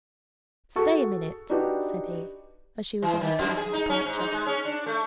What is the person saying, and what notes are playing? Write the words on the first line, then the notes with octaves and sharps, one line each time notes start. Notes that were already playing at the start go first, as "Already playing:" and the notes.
"Stay a minute," said he, as she was on the point of departure.
F#4 G#4 A4 C#6
D4 D#4 F#4 G4 B4
E3
D#3
F2
G#4
D#4
C#4
G#2
D#4
G#3
C#4
D4
A3